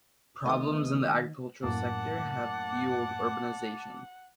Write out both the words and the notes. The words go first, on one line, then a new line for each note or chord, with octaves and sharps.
Problems in the agricultural sector have fueled urbanization.
D#3 A3 B3 D#4 D#5 D#6
F#2 A2 A#3 F#5 A5 D6